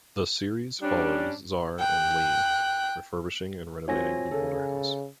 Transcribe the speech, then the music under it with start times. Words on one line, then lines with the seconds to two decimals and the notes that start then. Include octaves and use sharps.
The series followed Czar and Leigh refurbishing and renovating an older house.
0.82 G3 C#4 D4
1.79 G5 F#6
3.88 F#3 C4 F4 C#5 G#5 A#6
4.31 C#3 A4